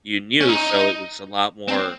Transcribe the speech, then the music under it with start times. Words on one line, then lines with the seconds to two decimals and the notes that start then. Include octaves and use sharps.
you knew, so it was a lot more
0.41 C#4
0.49 D#4
1.68 C4